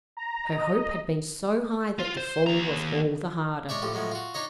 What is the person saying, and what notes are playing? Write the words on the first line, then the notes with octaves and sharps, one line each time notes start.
Her hope had been so high that the fall was all the harder.
A#5
D#5
F4
C5
D#2 A#5
G#3 C#5 D5 E5
A2 F3 G4
A2 F3 F#3 G#3
F4 F#4
D4 D#4 C#5 D#5